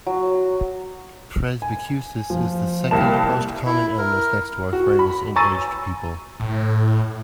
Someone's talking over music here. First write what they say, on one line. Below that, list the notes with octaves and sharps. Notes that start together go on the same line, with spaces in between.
Presbycusis is the second most common illness next to arthritis in aged people.
F#3
G#5
F3
C2 A#3 G5 A5 E7
E4
A#4
F#4
B5
G#5 A#5 C#6 E6 A6 D#7
A2